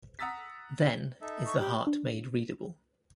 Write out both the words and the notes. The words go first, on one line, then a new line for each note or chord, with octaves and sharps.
Then is the heart made readable.
F#5 A#5 D#6 E6 A6 B6
D#4 A4 E5
C#6
G4
D4